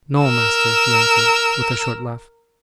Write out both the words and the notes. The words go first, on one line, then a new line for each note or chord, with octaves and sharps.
'No, master,' he answered with a short laugh.
A#4 E6